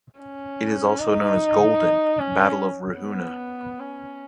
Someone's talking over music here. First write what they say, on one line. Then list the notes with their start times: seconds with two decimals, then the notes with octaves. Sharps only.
It is also known as "Golden" "Battle of Ruhuna".
0.20 C#4
0.99 D#4
2.19 C#4
2.99 B3
3.80 C#4